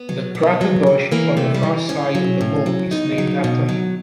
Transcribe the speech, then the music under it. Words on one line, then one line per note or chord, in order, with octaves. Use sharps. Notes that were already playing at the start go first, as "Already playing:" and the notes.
The crater Deutsch on the far side of the Moon is named after him.
Already playing: B3
F#3
B2 B3
F#3
C3 A#3
E3 A#3
C3 A3
G3
E3
A2 C#4
F#3
A2
F#3
B2 D#4
F#3
B2
F#3